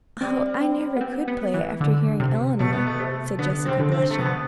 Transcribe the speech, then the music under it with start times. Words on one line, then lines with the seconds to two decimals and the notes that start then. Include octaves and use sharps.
"Oh, I never could play, after hearing Eleanor," said Jessica blushing.
0.21 G3 C4
0.61 C4
0.96 B3
1.01 C4
1.28 B3
1.54 E3
1.80 D3
2.20 C3
2.59 B2 A3
2.73 B3
2.87 A3
3.00 C3
3.39 D3 B3
3.65 C4
3.68 C3
3.79 D3
3.92 C4
4.10 A3
4.18 C3 B3
4.25 D3